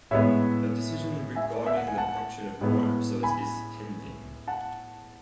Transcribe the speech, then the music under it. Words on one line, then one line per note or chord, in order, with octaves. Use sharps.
A decision regarding the production of more episodes is pending.
A2 G#3 B3 C#5 E5
E5 G#5
D5
E5
F#5
G#5
F#5 A5
A2 G#3 B3
G#5 B5
F#5 A5